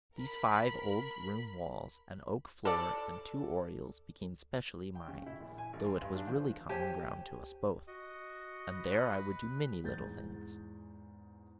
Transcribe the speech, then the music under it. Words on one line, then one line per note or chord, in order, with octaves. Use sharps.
These five old room walls, and oak floor, and two oriels, became specially mine, though it was really common ground to us both, and there I would do many little things.
A#4 B5
A4 D5
G5
C#3
E4
A#1
G#5
A1
C6
G2
D4
F3
G4 C5 C#5 G#5
F#4 D#5
B4
E2 G#2 G#3 G6 A6